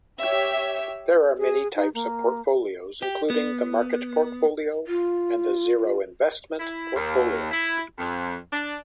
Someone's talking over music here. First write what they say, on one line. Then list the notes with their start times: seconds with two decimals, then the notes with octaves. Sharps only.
There are many types of portfolios including the market portfolio and the zero-investment portfolio.
0.19 G4 C#5 E5
1.38 G#4
1.76 D#4
1.95 A#3
3.02 G4
3.30 B3
4.87 F4
6.60 E4
6.95 D#2
7.52 E4
7.99 F2
8.53 D4